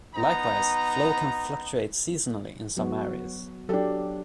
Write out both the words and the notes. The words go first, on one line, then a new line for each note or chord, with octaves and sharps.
Likewise, flow can fluctuate seasonally in some areas.
B3 D#4 A#5
F#3 B3 F#4
F#3 D4 G4 A4